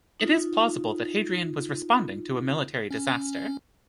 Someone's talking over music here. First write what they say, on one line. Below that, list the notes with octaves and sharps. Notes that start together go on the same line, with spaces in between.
It is plausible that Hadrian was responding to a military disaster.
D#4 F4
C#4